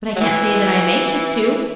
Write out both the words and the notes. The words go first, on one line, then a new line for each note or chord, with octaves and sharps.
But I can't say that I am anxious to.
F#3
E3